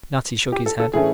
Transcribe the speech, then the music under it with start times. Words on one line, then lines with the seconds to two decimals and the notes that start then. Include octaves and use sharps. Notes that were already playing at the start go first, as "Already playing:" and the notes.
Natty shook his head.
0.52 G4
0.66 A4
0.80 A4
0.93 A2 E3 A3 C#4 G#4